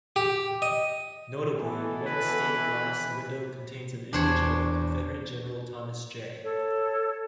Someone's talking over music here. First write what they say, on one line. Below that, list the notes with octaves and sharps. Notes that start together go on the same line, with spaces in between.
Notably, one stained glass window contains an image of Confederate General Thomas J.
G4
D#5
B2 E3 B3 A4
B4
E2 D4 C5 C#5
A4 C#5